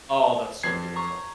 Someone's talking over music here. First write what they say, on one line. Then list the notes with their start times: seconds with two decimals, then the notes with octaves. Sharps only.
Oh, that's so beautiful.
0.63 F2 G#6 C7
0.96 A#5 C#6